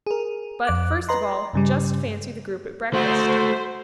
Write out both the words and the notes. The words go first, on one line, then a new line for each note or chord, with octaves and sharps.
But, first of all, just fancy the group at breakfast.
G#4 A#4
F2 D6 F#6
B4 D#5 A#5 C6
G2 C#3 G3
A3 F#4 C5